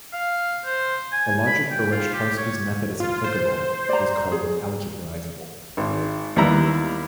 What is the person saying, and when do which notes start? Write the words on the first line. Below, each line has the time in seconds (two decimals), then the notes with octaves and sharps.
A logic for which Tarski's method is applicable, is called "algebraizable".
0.13 F5
0.65 C5
1.12 G#5
1.47 B5
1.71 G5
1.92 F4
2.13 G4
2.37 C#5
3.00 F4
3.24 C5
3.89 D5 A#5
4.32 G#4
5.77 G#1
6.36 D#2 G3 B3 E4 A#5